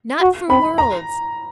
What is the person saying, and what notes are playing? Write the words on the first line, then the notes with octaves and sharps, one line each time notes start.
'Not for worlds!
F#4
C4 B5
A#5